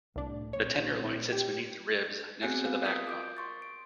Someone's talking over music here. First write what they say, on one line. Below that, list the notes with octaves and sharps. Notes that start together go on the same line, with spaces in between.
The tenderloin sits beneath the ribs, next to the backbone.
C2 A2 D4
A#1 A#2 C4 C#5
G4
B3 C4 F#4 G#4 G#5 F#6
B4 F5
F4 A#4 D#6 B6
D6 G6 D7
C6 C#6 A6
D7